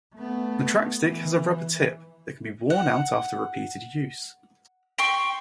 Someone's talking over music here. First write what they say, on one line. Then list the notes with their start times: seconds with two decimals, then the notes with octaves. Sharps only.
The TrackStick has a rubber tip that can be worn out after repeated use.
0.14 A3 B3
1.03 E3
2.70 F#5
4.98 G5 C6 C#6